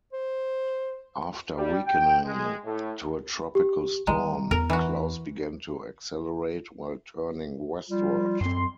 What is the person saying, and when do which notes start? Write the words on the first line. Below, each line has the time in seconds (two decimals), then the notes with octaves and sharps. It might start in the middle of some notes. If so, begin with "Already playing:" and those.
After weakening to a tropical storm, Klaus began to accelerate, while turning westward.
0.13 C5
1.56 G3
1.86 G5
2.24 G#3
2.64 A2
3.55 G4
4.07 D#3 G3 G#3 A#5
4.51 E2 A#4
4.70 E3 F#4
7.90 F3 G3 F4
8.41 F#2 C4 C6